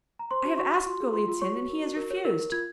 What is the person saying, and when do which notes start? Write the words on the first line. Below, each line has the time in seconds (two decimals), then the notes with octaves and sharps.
I have asked Golitsyn and he has refused.
0.19 A#5
0.31 C5 C6
0.45 F#4
0.58 F#4 C#6
0.72 F#4 C#6
0.86 F4 C6
1.00 G#4
1.13 F4 C6
1.28 F4
1.42 C#5 C#6
1.56 F#4
1.69 A#4
1.82 F#4
1.97 A#4
2.10 C#5
2.25 A#4
2.38 A#4
2.52 F4 G#6